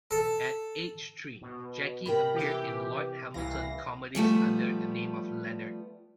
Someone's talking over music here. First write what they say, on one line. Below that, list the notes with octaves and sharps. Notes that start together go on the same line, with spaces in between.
At age three, Jackie appeared in Lloyd Hamilton comedies under the name of "Leonard".
A4
B2
C3 A#4 G5 B5
E3 G4
C2 E3 F5 A#6
F3 G3 A3 B3